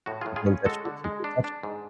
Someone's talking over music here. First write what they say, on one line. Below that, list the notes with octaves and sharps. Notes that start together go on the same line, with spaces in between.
keep in touch you keep in touch
A2 F#4
F4 G#4
A2
F4 G#4
C#4
G#3 F#4 A4
D3
G#3
D4
D4
G#2